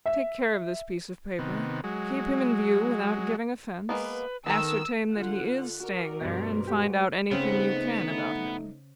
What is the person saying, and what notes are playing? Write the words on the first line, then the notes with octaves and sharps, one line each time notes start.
'Take care of this piece of paper, keep him in view without giving offence, ascertain that he IS staying there, and find out anything you can about him.'
E5
C3 D#3 B3
F#3 G#3
G#3 A#3 B3 B4
D#3 B3 A4 A#5 E6
D3 F4 F#5
F#4 A#4 D5
G2 B2 B4 C5
G#3 F#4 G4
C#3 A3 B3 C4 D#4